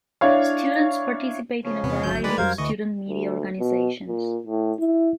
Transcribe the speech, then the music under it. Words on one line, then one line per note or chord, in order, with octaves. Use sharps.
Students participate in a variety of student media organizations.
D4 E4 C#5 F5
C#3 F3 C#4
E2 C3 B3
G#1 D2 F#3 G6
D#3 G#3 B4 D5 B5
F2 F#3 G3 A#4 C5 F5 G#6
D2 D3 E3 D#5 C#6
D2
B2
A#2
A2
E4